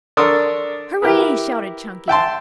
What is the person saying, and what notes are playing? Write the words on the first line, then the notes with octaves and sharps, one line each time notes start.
"Hooray!" shouted Chunky.
D4 A4 A#4 C6 C#6 D#6
E4 G4 A#4 B4
E5 G5 A5 C6